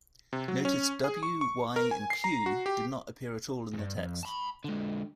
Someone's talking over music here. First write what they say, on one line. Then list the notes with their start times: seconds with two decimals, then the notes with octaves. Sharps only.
Notice "w", "y", and "q" did not appear at all in the text.
0.33 C3
0.48 F#3
0.65 C#4
1.04 G#4
1.23 C#6
1.41 C#6
1.76 A#4
1.91 G#5
2.10 C7
2.24 A#5
2.46 F#4
2.66 G4
3.74 E2 G2
3.97 F2
4.23 A5 B5
4.64 D3 G#3